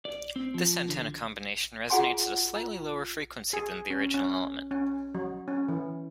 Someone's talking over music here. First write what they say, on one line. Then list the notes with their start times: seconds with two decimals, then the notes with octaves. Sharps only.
This antenna combination resonates at a slightly lower frequency than the original element.
0.05 D5
0.36 C4
0.54 F3
0.89 D3
1.90 F4 F#4 G#4 F#5 G#5 C6
2.56 F4
3.53 G#4
3.90 C#4
4.14 C#4
4.71 C#4
5.15 F#3
5.48 C#4
5.69 E3